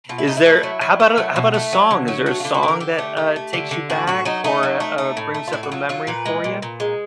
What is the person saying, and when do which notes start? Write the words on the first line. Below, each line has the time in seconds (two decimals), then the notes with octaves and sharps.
is there how 'bout a how 'bout a song? Is there a song that, uh, takes you back or, u uh, brings up a memory for ya?
0.09 B2 F4
0.18 E4
0.27 A3 D#4
0.37 E4
0.46 A3
0.63 F#3
0.81 F#3
1.00 A3
1.18 F#3
1.36 B2
1.54 A3
1.73 F#3
1.91 D3
2.08 F#3
2.26 A3 F#4
2.40 D3 F4
2.54 F#4
2.63 D3 A#4
2.80 D3 G4
2.98 A3
3.17 A3
3.36 A3
3.53 D3
3.71 D3
3.90 A2 F#4
4.07 A2 F#4
4.25 F#3 D#4
4.44 A3 D#4
4.63 F#3
4.80 A3
4.98 A3
5.17 A2
5.34 A3
5.48 F4
5.53 A2 E4
5.63 F#4
5.72 F#3 F4
5.89 F#3 F4
6.07 A#2 B4
6.26 G#3
6.44 A#2
6.62 A#2
6.80 G#3